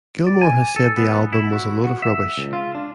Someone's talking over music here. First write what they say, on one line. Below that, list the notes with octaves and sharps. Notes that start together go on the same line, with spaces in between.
Gilmour has said the album was a load of rubbish.
D5
G#5
A4
B3
E4
F#4
F#4
E5
C#2
F4
D4